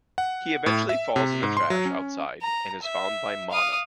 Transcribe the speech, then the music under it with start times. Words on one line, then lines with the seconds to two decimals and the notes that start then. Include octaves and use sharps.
He eventually falls in the trash outside and is found by Mana.
0.18 F#5
0.66 A2
0.89 E5
1.16 C3
1.43 G#2
1.57 C6
1.70 F#3
1.85 C#4
2.42 A#5
2.82 E5
3.51 F5 D#6